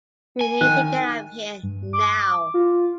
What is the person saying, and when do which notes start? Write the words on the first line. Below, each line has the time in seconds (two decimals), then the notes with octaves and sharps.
We need to get out of here now.
0.41 G#5
0.61 D#3 F#6
1.63 G2
1.93 D6
2.54 F4